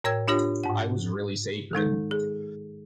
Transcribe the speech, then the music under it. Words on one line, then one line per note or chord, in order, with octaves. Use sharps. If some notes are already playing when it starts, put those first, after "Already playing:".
I was really sacred!
A2 A#4 C#5 G5 E6 G#6
D4 F4 G4 C#5
G#2 F#5
D#3 G#3 D#4 A4
G#4